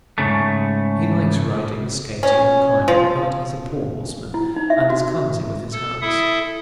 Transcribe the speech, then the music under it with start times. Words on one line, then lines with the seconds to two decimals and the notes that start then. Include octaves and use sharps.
He likes riding, skating, and climbing, but is a poor horseman, and is clumsy with his hands.
0.18 G#2 C#3 A3
2.23 C#4
2.88 F3
4.34 E4
4.56 D#4
4.70 E5
4.90 F#4
5.72 A4
6.02 E4 A4 E5 D#6